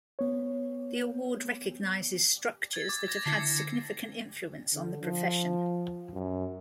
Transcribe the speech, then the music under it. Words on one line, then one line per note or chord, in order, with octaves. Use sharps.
The award recognizes structures that have had significant influence on the profession.
B3 C#5
G#6 A6
D6
G#6 A#6
D3 E4 G#6 C7 C#7
D3
F3
F#2